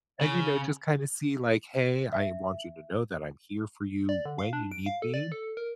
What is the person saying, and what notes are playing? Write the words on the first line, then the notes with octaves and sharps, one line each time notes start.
And, you know, just kinda see, like, "Hey, I want you to know that I'm here for you when you need me.
C#3
E5
D5
D3
F5
D4
D7
F5
A4
D5
A4
A#4